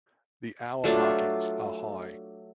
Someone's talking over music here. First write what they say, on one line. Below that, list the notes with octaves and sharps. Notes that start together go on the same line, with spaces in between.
The hour markings are high.
F#3 A3 D4 F4